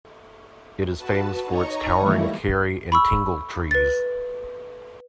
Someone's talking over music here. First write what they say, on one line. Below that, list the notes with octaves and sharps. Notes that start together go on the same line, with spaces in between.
It is famous for its towering Karri and Tingle trees.
F#4 B4 A5
D#4 C#5 D#5 A#5 C#6
D#3 E3 G3 A3 A#3 E4
B5 C#6 E6
B4 A6